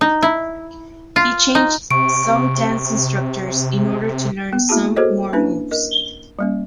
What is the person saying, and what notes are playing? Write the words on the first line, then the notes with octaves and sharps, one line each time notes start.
He changed some dance instructors in order to learn some more moves.
D#4
E4
F4
D#4
C3 C#6 D7
B3
A#3 E4 F#4 G#4 A5
F#4 G#4 A4 C5 C#5 D#5
A#3 C#4 D4 E4 B4
A#4 D#5
G3 A#3 C#4